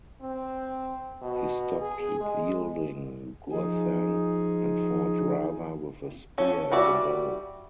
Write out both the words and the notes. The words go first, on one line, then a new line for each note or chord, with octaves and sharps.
He stopped wielding Gurthang and fought rather with a spear and a bow.
C4
B2
G#4
G#3
F3 D#4 G#4
C#4 A4
G3 F#4 D5 E5